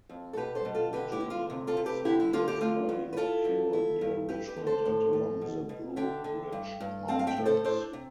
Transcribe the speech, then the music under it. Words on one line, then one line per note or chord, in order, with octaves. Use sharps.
In Virginia, severe flooding occurred near Richmond and along the Blue Ridge Mountains.
F2
A4
B2 G4 B4
A4 C5
B2
F4 A4
D3 G4 B4
E4 G4
D3
F4
C3
F4 A4
C3
G4 B4
D3 E4 G4
E4
D3 F4
E4 G4
A3 F4
E2
B4
E4 F4 A4
E2
E4
G2
E4 G4 B4
G4 B4
D3
A4 C5
A2
A2
B2
B2
D3 E5 G5
D3
G2
G2
C4 F5 A5
F5
E5 G5
A2
A4 C5
D4 A4 C5
C3